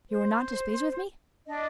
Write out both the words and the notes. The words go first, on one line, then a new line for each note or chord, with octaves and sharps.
"You are not displeased with me?"
C5
D4 D#5